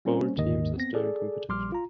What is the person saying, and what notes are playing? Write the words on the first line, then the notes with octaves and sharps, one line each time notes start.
Bold teams are still in competition.
G3 A#3 C4 C#4 C5
G1 D#2 G#2 D#3 D#5
B3 C4 A#6
G#4 A4 D5
A#1 G3 C6 D6 F6
F4 A#5